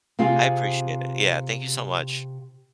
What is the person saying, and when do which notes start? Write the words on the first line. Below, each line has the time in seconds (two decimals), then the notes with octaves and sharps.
I appreciate it. Yeah. Thank you so much.
0.19 C3 C4 F4 G#4